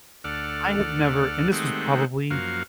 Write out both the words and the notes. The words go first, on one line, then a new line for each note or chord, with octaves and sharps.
I have never, and this was probably
D2 A4 D5 F#5 F6
D#3 G#3 A3 C4 G4 F#5
F#2 F3 A#3 F#4 F5